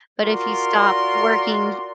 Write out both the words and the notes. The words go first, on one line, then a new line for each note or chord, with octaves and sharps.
But if you stop working,
F4 F#4 A#4 D5 C6